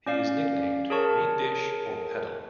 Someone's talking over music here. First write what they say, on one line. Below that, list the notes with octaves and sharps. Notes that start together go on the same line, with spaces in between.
He is nicknamed "Meat Dish" or "Petal".
C#4 D5 F5
G#4 A#4 C#5 A5 C#6